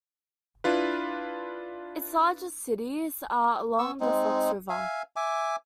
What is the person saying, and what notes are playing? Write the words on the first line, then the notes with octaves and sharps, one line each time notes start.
Its largest cities are along the Fox River.
D4 E4 F4 B4
B3 C#6 E6
G#3 C4 D#4
E5 F5 G#5
E5 G#5 D6